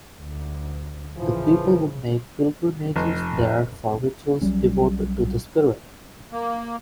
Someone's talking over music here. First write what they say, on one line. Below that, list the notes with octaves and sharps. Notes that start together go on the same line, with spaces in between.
The people would make pilgrimages there for rituals devoted to the spirit.
D2
A1 C#3 E3 F3
F1
B1 F#3 G3 C#4
A#3